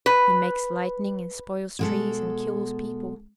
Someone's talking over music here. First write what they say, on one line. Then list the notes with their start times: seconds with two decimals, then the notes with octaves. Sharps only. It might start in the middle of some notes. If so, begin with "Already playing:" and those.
He makes lightning and spoils trees and kills people.
0.06 B4
1.79 B2 G#3 A4